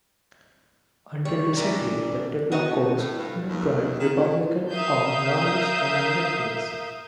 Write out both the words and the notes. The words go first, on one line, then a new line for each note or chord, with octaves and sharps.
Until recently the Diplock courts only tried Republican or Loyalist paramilitaries.
G3 C#5
E3 G3 D4 A#4
B3 D#4 F#4
A2
G2
D#2
D#3
A#2
A#4 E5 F5 D#6 G6